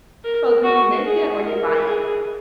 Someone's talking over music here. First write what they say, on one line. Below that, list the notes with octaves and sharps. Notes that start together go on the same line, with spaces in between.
So do you make it or you buy it?
A#4
F#4
G#4
A#4
G#4